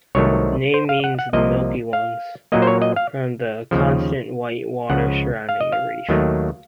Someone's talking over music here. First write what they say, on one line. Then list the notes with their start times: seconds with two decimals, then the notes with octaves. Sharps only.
The name means "the milky ones", from the constant white water surrounding the reef.
0.15 C2 C3 D#3 F#3 A3 C#5
0.74 C5
0.89 F5
1.04 F#5
1.19 F#5
1.33 C2 C3 F3 A#3 D#5
1.93 F5
2.52 A#2 F#3 A#3 D#5
2.62 C5
2.67 C#5
2.82 D#5
2.96 F5
3.71 D#2 C#3 F3
4.90 C#2 C#3 F3 F#5
5.49 F5
5.61 D#5
5.72 F5
6.09 D#2 D#3 F#3 A3